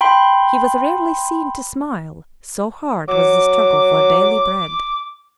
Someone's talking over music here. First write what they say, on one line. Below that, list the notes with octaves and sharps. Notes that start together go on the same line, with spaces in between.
He was rarely seen to smile, so hard was the struggle for daily bread.
G5 B5 C6
F#3 D6